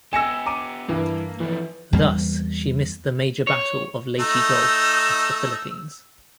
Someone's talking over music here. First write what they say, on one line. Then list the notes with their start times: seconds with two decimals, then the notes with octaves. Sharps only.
Thus, she missed the major Battle of Leyte Gulf off the Philippines.
0.13 B3 G4 G#5 E6 A#6 C#7 E7
0.46 A#5 D6 D#7
0.88 G2 E3 G3 A#3
1.40 E3 F3 A3
1.93 E2 G3 A#3
3.47 C#5
4.19 A3 D#4 E6